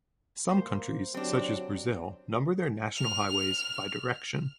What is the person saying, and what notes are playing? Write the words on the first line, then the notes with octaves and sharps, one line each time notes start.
Some countries, such as Brazil, number their national highways by direction.
A#3 C5
F#3 C4 D4 G4
F6 F7